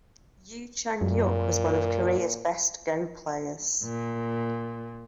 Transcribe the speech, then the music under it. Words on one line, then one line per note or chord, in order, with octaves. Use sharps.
Yoo Changhyuk was one of Korea's best Go players.
F#2 A#2
A#2